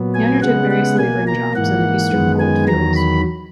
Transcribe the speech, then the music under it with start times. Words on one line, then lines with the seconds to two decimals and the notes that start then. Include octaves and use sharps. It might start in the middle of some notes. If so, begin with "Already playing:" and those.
He undertook various laboring jobs in the Eastern Goldfields.
Already playing: A#2 F#3 B3
0.14 G#5
0.42 C#3 G#3 B3 F#5
0.71 F#5
0.98 B2 A#3 G#5
1.27 A#5
1.55 G#2 E3 A#3 F#5
2.11 F#2 D#3 G#3 B3
2.39 G#5
2.68 E2 D#3 F#3 A#5
2.96 B5